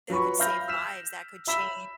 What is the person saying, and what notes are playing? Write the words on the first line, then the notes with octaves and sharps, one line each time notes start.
that could save lives, that could change
F#3 F4 B4 B5 C#6
E5 F5 B5 F6 G6 A#6
E6 F6 B6 E7
E5 B5 E6 B6 E7